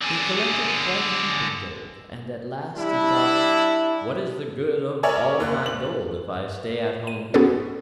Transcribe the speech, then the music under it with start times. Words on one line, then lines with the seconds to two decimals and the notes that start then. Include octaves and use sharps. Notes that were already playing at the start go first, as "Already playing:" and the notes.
He collected quite a heap of gold, and at last he thought: 'What is the good of all my gold if I stay at home here?
0.02 D3 G#4
2.76 G3 D4 E4
5.03 A#4 C#5 D5 E5 G#5
5.40 D#2 F#6
5.66 F#7
7.07 D#7
7.34 B3 C#4 F#4 G#4 A4 B4